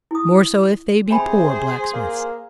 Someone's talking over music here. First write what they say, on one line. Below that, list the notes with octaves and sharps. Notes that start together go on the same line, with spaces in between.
"More so if they be poor blacksmiths."
E4 D#6
C3 G#4 C5 G5 G#5 B5
A#3